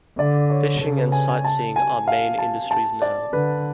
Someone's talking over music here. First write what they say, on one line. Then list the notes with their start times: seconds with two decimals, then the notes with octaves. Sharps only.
Fishing and sightseeing are main industries now.
0.19 D3 D5
0.50 C#5
0.81 C#3 A4
0.97 B4
1.12 G#5
1.29 G#5
1.45 A5
1.76 G#5
2.08 F5
2.38 A5
2.71 A5
3.02 D5
3.33 D3 B4